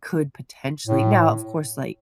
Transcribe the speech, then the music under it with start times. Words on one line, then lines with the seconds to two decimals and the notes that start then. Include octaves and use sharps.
could potentially now, of course, like,
0.87 A2